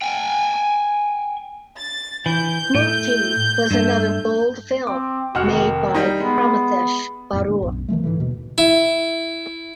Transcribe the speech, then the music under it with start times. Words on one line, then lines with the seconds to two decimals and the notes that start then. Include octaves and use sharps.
Mukti was another bold film made by Pramathesh Barua.
0.01 G5 G#5
1.79 A6
2.26 E3 G6
2.75 A2
3.71 G2 A3
4.87 C4 D6
5.35 F1 F#4 F#5 F6
5.51 D#3
5.95 G3 D#4
6.20 G#3 B3
7.33 F2 A2
7.47 A2 D3
7.62 B1 F#2
7.89 D#3 F3 G#3 A3
8.04 G#2 B2 D3 E3
8.20 D#2 B2
8.58 E4